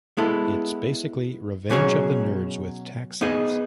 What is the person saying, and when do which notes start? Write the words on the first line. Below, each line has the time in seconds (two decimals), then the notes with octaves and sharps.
It's basically "Revenge of the Nerds" with taxis.
0.17 G#3 B3 E4 A4
1.70 B2 F#3 C#4 G#4 C#5
3.21 B3 D#4 G#4 D#5